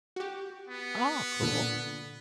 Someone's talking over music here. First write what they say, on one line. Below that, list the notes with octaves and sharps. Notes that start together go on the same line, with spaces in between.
Aw, cool.
F#4 G4
B3
A#2 D3